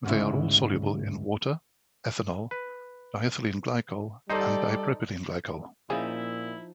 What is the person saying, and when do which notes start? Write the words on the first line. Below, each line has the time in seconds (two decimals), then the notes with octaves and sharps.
They are all soluble in water, ethanol, diethylene glycol and dipropylene glycol.
0.04 D2 G#2 C#3 E4
2.51 B4
4.30 G3 D#4 A4 C5 D5
5.90 A#2 F3 C#4 D#4 E4 G#4